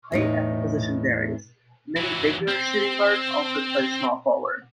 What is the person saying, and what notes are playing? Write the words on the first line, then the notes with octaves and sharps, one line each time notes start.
Height at the position varies; many bigger shooting guards also play small forward.
E2 A2 D#4
E3 F#3
C4